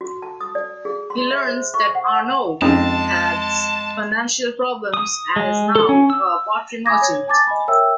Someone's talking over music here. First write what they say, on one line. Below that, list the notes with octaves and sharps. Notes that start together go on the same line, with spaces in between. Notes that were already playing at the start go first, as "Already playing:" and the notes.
He learns that Arnoux has financial problems and is now a pottery merchant.
F#4
A5
D#6
D5
G#4
C6
E5
C5
C#6
F#5
F#5
F2 G#3 C#4 D#4 G#4 A5
D#6
G#3
A4
C#4
E6
G#5 B5 D6 D#6 G#6 A#6
C#5 G#6
G#5 A5 D6 A6
D#5 G#5 B5
A#4 C#5 E5 G5 E6